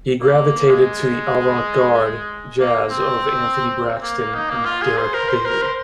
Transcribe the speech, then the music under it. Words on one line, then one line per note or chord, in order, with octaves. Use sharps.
He gravitated to the avant-garde jazz of Anthony Braxton and Derek Bailey.
A#3
G#3
A#3
C4
A#3
A#3
D#4
A#3
F4
G#4
C5
A#4
C5
A#4
C5